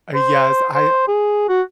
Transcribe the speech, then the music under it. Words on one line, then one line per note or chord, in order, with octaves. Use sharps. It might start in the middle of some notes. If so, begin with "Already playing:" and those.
Uh, yes, I
C5
C5
G#4
F#4